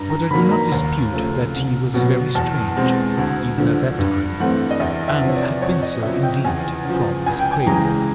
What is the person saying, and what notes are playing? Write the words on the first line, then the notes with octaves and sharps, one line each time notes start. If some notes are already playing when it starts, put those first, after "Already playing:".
But I do not dispute that he was very strange even at that time, and had been so indeed from his cradle.
Already playing: G2 A#5
A#5
D#3 F#3 A#3 B5
A#5
D#2
C#3 F3 A3
C2
B2 F#3 B3
E2 A5
B2 G#3 C4
D2
D3 F3
G2
E3 A3 C4 F#5
D#5
E2 E5
E5
C3 F3
C#5
D5
F2 C#5
D#5
C#3 F3 E5
G5
E2 G#5
C#3
F3
C#2 G#5
G5
G#5
C#3 E3 G#3 A#5